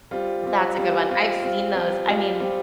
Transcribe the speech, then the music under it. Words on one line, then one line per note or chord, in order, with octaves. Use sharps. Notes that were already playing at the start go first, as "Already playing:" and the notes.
That's a good one, I've seen those, I mean
G3 C4 F4
G3 C4 F4
G3 C4 F4
G3 C4 F4
G3 C4 F4
G3 C4 F4
G3 C4 F4
G3 C4 F4